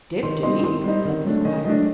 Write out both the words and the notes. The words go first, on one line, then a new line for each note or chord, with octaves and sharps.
"Dipped in ink!" said the squire.
D#3 C6
G3 C4 D#4 C6
D#3 C6
G3 C4 D#4
D#3
F#3 A3 D4
D#3 D#5
F#3 A3 D4 D#5